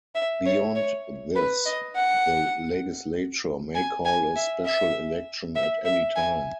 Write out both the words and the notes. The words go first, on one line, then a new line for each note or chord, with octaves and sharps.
Beyond this, the legislature may call a special election at any time.
E5
C#5
C#5
B4
D#5
F#5
G#5
G#5
E5
E5
E5
E5
G#5